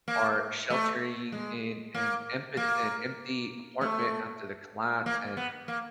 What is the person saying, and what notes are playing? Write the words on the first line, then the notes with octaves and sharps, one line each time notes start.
are sheltering in an empath an empty apartment after the collapse, and
A#3
A3
G#3
A#3
A#3
A3
A#3
B3
A#3